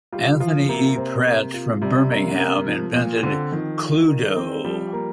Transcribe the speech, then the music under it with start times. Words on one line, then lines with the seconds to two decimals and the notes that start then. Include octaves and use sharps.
Anthony E. Pratt from Birmingham invented Cluedo.
0.13 G3 F4
0.40 F3 F4
0.69 C3 A#3
0.97 C5
1.26 A#3
1.54 F4
1.82 C3 G3
2.11 A#3
2.39 A#4
2.67 F3
2.95 A#2 F4
3.23 D3 C4
3.52 D#3 F3
3.81 F4
4.08 A#4
4.36 C4
4.64 F3 G3
4.93 A#3